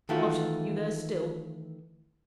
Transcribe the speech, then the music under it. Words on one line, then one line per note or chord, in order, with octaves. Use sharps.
'What! you there still!'
D#3 E3 A3 F4 F#4